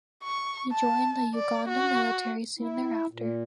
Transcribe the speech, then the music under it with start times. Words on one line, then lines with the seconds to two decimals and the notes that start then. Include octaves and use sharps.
He joined the Uganda Military soon thereafter.
0.24 C#6
0.72 A5
1.35 D5
1.68 F#4
2.59 E4
3.12 A#2